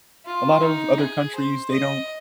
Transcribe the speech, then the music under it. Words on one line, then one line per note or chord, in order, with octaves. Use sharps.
a lot of other countries, they don't
F4
D#4
G#4
C5
D#5